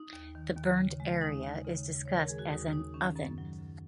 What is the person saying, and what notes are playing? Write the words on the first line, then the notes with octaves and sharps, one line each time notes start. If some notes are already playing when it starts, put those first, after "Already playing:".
The burnt area is discussed as an "oven".
Already playing: D#4
D#2
D#3
D#2
C#3
G#3
D#2 D#4
D#2
C#3
D#2
D#3 C#5
A#4
G#3 G#4
F#4
D#2 D#4
D#2 D#4
D#3 C#4
F#2
F#3
F#2